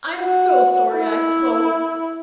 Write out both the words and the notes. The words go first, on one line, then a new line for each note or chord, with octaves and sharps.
I'm so sorry I spoke.
F#4
E4